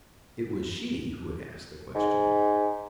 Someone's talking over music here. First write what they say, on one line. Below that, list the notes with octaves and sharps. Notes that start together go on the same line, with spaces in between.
It was she who had asked the question.
G#2